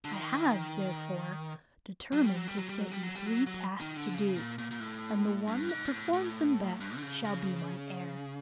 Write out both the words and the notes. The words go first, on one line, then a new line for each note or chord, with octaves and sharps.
I have, therefore, determined to set you three tasks to do, and the one that performs them best shall be my heir.
D3
D#3
F#3
G3
F#3
G3
F#3
G3
F#3
G3
F#3
G3
F#3
F#3
D#3
D3
C#3
A#2
A#2
A#2
A2
G2
G#2
A#2
A2
A2
G2
D3
C#3
C#3